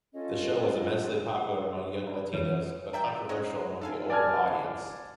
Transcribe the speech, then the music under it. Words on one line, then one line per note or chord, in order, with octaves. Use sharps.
The show was immensely popular among young Latinos, but controversial among the older audience.
C#4 F4 A4 D#5
D5 B5
F2 E3 B4 C#5
D5 E5 G5 A#5
C#4 C#5 D#5
D#4 A4 F5 F#5 G#5
D5 G#5 A5 F6 G#6